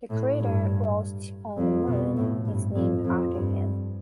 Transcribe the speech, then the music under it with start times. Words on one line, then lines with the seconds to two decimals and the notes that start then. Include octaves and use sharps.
The crater Rost on the Moon is named after him.
0.10 A2
0.39 G2
1.57 F2
1.87 B2
2.17 A2
2.45 G2
2.75 F2
3.04 F2
3.33 G2